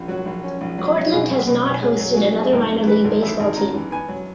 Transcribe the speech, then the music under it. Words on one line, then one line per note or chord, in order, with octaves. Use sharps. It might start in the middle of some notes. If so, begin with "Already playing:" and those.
Cortland has not hosted another minor league baseball team.
Already playing: A#1 C#4
F#3 F#4
A#1
C#4
A#1
F#3
F#3
B2 G#4
B1
B2
B2
F#3 G#4
F#3
G#4
F#3 F#4
F#3
G#4
G#1 A#4
F#2
E3 B4
G#1
E3 E5
G#1
F#2 A#5
E3
B3 G#5
F#3